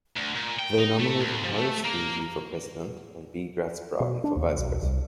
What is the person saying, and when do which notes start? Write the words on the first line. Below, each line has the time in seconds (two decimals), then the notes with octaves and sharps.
They nominated Horace Greeley for president and B. Gratz Brown for vice president.
0.16 D2
0.35 A#2
0.59 G5
0.78 D#4
1.00 A3
1.20 D2
1.45 F3
1.58 A3
1.85 A#3
4.00 B2
4.24 D4
4.36 D#2
4.59 B1
4.82 C2